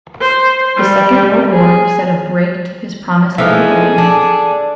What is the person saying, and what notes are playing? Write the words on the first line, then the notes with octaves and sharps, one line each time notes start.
The Second World War set a break to his promising development.
C5
G3
G#4
E3 F3 D#4 G#4 A4
D4